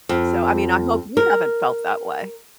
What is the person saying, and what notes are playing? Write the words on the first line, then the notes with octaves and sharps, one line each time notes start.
So, I mean, I hope you haven't felt that way.
F2
A#4